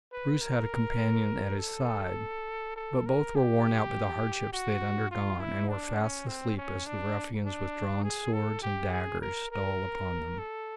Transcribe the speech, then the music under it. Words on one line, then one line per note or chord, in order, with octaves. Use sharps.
Bruce had a companion at his side, but both were worn out by the hardships they had undergone and were fast asleep as the ruffians with drawn swords and daggers stole upon them.
B4
A#4
A4
A4
A#4
G4
F#4
F4
E4
D4
C#4
C4
C#4
D4
D4
G#4
A4
G4
G#4
A#4
A#4
A4